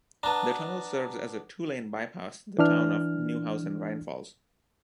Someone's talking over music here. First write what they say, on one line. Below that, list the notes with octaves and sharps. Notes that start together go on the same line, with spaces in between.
The tunnel serves as a two-lane bypass the town of Neuhausen Rhine Falls.
B3 D4 A5 A#5
E3 D4 F6